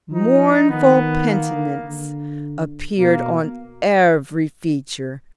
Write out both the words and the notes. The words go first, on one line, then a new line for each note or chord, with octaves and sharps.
Mournful penitence appeared on every feature.
F3 D#4
D#3 B3
A#3
D3
B2 A#3